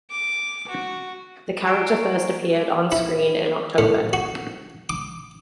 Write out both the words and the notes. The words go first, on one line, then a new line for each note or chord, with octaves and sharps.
The character first appeared on screen in October.
D6
F#4
G#5 A#5 C#6 C7 D7 E7
E4
A2
F#4
D6